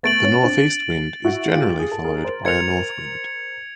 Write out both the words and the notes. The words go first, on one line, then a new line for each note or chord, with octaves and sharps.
The northeast wind is generally followed by a north wind.
A3 B3 A6 D7 F#7
B3 C#4
C4 D4
E4 F#4
F4 G4
G#4
A4
G#4 A#4
A#4 C5
A#4 C5 G#6 C#7 F7